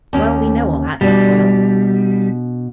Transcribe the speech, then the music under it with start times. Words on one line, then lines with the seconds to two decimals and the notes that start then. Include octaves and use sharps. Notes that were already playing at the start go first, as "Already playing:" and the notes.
"Well, we know all that," said Foyle.
0.13 D#2 C#4
1.01 B2 G3 D4